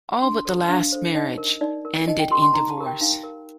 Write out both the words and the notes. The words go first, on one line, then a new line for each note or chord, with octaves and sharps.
All but the last marriage ended in divorce.
D4 C6
A4 C5
D4 F5
A4 C5
D#4 D#5
A#4
D#4 D5
A#4
D#4 D#5
G5
G4 A#4 C6
C6
D#4 A#5
A5
G4 A#4
G5
D#4 F5
A#4